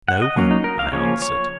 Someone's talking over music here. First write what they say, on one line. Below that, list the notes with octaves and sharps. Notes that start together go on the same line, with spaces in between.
"No one," I answered.
F#5
D#5
F#3 A#3 C#4
D#4
A#4
F5
C#3 F3 A#3 C#4 C#5
C#5